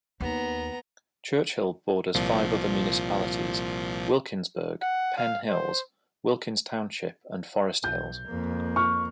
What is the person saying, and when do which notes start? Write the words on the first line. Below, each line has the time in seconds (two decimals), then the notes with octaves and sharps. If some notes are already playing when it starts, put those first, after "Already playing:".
Churchill borders five other municipalities: Wilkinsburg, Penn Hills, Wilkins Township and Forest Hills.
0.21 D#2 B3 A#5
2.14 C2 A#2 F3
4.82 F#5
5.17 F5
5.49 C5
7.84 B1 G6
8.27 F2 A#3
8.76 C#6 F6